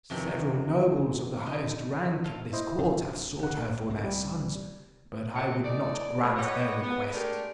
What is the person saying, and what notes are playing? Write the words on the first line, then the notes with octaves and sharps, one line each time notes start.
Several nobles of the highest rank at this court have sought her for their sons, but I would not grant their request.
F2 C3 D#3 E3 F#3
D#4
F4 A4 F5
E4 C5 D#5
D1 C3 D4
A#1 A#3 F#5
C2 C4
G3
D2 G#2 D#3 F#3 C4 F#5
E3 A3 D#4 D5
E2 B2 F#3 G#3 A3
G4 B4 C#5 D#5 F#5
B3
G#3 A3 D4 G4 A#4